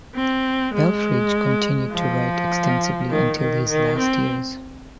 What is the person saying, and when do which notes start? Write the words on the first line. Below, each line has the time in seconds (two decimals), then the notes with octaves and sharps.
Belfrage continued to write extensively until his last years.
0.15 C4
0.74 G#3
1.92 F3
3.10 D#3
3.39 D#3
3.69 D#3
3.99 C4